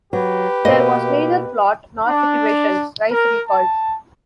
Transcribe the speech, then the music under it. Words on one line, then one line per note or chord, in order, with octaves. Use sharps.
"There was neither plot nor situation," Rice recalled.
F#3 G4 B4
B2 A#3 D#5
D4
A#4
A5